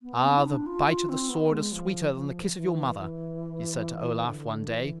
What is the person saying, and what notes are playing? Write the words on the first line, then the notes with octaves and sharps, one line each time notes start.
"Ah! the bite of the sword is sweeter than the kiss of your mother," he said to Olaf one day.
B3
C4
E4
D4
F4
F4
C4
B3
G#3
F3
F3
E3
E3
D3
E3